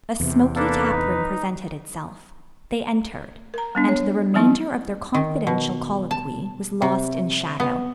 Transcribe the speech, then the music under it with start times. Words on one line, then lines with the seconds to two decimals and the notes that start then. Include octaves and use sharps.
A smoky tap-room presented itself; they entered, and the remainder of their confidential colloquy was lost in shadow.
0.20 E2 C3
0.56 A#3 D4 A4 B4
0.92 D#4
3.54 A#4 A#5
3.75 G3 B3 D4
3.89 C#5
4.34 E3 F#3 B3 D#4 E4
5.14 D#3
5.47 B2
6.11 A5
6.82 C3
7.60 B3